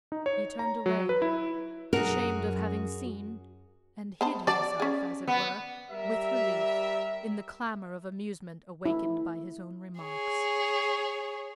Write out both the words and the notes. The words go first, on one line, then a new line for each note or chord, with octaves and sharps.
He turned away, ashamed of having seen, and hid himself, as it were, with relief, in the clamor of amusement awakened by his own remarks.
D#4
C#5
A#5
F#3
B4
E4
F#2 D4 F#4 G#4 A#4
B3 C5 A5
F#3 D5 A5
C#4 G#4
B3
G3 G4 A#4 E5
E4
G#4 C#5